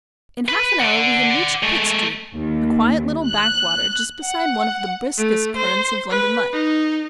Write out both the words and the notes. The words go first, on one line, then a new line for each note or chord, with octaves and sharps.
In half an hour we had reached Pitt Street, a quiet little backwater just beside one of the briskest currents of London life.
B4
D5 F#5
G#3 A3
D#2
F#6
F#5
A3
C5
B4
D#4